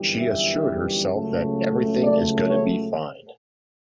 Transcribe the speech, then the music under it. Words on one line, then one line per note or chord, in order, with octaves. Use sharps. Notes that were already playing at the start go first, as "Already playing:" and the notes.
She assured herself that everything is gonna be fine.
Already playing: G1 F#2 E3 G3
E5
C#2 C#3 F#3 A3
D5
C#5